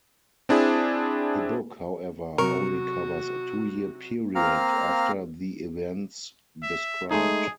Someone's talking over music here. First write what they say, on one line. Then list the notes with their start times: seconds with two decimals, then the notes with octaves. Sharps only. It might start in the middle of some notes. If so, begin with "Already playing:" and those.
The book, however, only covers a two-year period after the events described.
0.49 C4 D4 E4 G#4
2.38 C3 F#3 F#4 A#4 C#6
4.35 A#3 C4 F5 A#5 F6
6.63 E5
7.11 G#3 A3 D#4 G#4